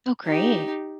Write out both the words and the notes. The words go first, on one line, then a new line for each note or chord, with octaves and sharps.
Oh, great.
D#4 G4